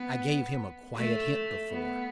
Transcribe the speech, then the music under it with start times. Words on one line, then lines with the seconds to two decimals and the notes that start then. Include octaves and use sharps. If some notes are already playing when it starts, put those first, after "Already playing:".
I gave him a quiet hint before.
Already playing: B3
0.96 A3
1.70 B3